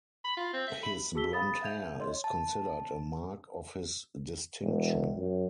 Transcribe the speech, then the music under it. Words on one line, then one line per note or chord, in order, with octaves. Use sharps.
His blond hair is considered a mark of his distinction.
B5
F4
C4
E5
B5
F#4 G#4 A5 E6 B6 G7
F5 B5 D#6 A6
E5 F5 G6 G#6 F7
C#5 D#5 C6
A5
E1
F#2